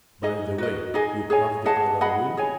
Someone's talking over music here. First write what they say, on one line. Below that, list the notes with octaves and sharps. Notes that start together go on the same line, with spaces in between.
"By the way, you have the other will?"
D#4 G#4 D#5
F#4 B4 D#5
D#4 G#4 D#5 G#5
G#4 C#5 G#5
G#4 D#5 F#5 A5
G#4 D#5 F#5 B5
G#4 C#5 G#5